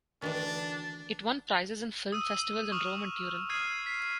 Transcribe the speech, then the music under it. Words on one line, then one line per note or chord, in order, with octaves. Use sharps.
It won prizes in film festivals in Rome and Turin.
D2 D#3 E3 D4 A6
D#6 E6 D#7
C#6 D#6 F6 F7
D#6 F6 G#6 C7 D#7
B6 C7